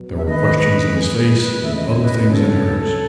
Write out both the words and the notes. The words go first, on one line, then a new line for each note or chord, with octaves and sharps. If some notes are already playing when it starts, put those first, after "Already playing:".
There were questions in his face--other things in hers.
Already playing: B2 F#3 B3
E5
D#2 D#3 G#3 D#4 A4 B4 D#5
E3 G#3 B3 G#4
G#4
B4
E2 C#3 E3 A3 C#4 E5
D#5
C#5
B4 D#5
B4
C#3 F#3 C#4 A4 C#5